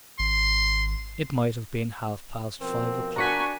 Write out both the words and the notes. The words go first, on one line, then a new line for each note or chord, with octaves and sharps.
It might have been half-past five o'clock.
G#1 C6
B2 F3 C4 A#4
D4 F#4 G#5 A#5 C#6 B6